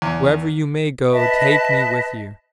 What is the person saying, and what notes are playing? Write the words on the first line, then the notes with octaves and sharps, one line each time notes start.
Wherever you may go take me with you!'
E2
B4 D#5 E5 A5